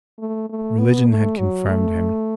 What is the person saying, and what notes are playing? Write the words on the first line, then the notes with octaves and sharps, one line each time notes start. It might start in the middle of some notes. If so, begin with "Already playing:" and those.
Religion had confirmed him.
A3
A3
B3
A3
F#3
A3